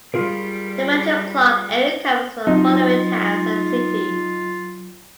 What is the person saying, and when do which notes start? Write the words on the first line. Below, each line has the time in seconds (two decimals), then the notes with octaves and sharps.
The Metro Clark area covers the following towns and cities.
0.14 G3 F4 G#4 A#4
2.47 F#3 C4 D#4 F4